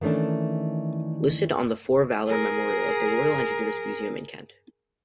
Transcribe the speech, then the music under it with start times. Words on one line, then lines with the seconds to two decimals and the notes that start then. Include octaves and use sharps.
Listed on the "For Valour" memorial at the Royal Engineers Museum in Kent.
0.01 D#3 E3 A3 C#4 D4
2.27 G#4 A#4